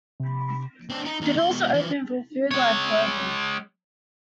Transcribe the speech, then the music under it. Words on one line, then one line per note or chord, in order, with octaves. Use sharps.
The doors are open for Food for Life Global.
C3
C4 D4
D#4
D#2 D#4
D2 C6
B2 G#3
E3 F3
G#3 C#5